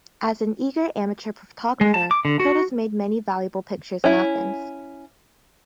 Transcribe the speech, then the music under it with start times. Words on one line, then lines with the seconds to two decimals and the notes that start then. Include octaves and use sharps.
As an eager amateur photographer, Curtis made many valuable pictures in Athens.
1.81 G#3
1.94 A5
2.11 D6
2.25 D3
2.40 F#4
4.04 C#4 E4